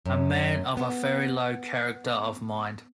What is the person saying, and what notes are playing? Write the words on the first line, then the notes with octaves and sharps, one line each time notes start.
A man of a very low character of mind.
F#2
B3